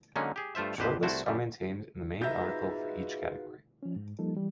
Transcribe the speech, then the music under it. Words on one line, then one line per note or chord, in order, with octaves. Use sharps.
Shortlists are maintained in the main article for each category.
D3 F#3 G#3 A#3 C#4 D#4
G4 G#4
G2 A3 F4 C5 E5
A#1 F2 G4 B4 C5
C2 A3 E4 F#4 C5 A5
F#2 G3
G#2 D#4 F4 F#4 B4 E5 A#5 G6
F3 C#4
G#2
F3 G3 A#3 D#4 A4
E3 G3